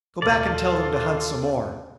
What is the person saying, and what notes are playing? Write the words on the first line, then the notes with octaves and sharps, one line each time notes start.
Go back and tell them to hunt some more.
D#1 G#1 F#2 C3 F4 A4 D5 C6